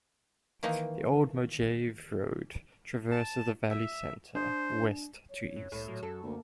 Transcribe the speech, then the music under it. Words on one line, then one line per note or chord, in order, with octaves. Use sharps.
The Old Mojave Road traverses the valley center, west to east.
D#3 E3 A#3 D#4
A5
E5
D4 C5
C#5
F#2
C2 A2
A#2 F#3
F#2 A4
D2 A#3